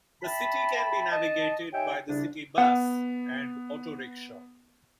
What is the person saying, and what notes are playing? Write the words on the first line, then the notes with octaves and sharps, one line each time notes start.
The city can be navigated by the city bus and auto rickshaw.
E5 G5 A5 B5
D#5 A5
D#4 G4 C#5 E5 G5 G#5
C2 C#3 D4
B3 F#5